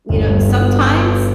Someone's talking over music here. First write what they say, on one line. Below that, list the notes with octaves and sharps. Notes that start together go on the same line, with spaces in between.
you know, sometimes
G1
G2
B3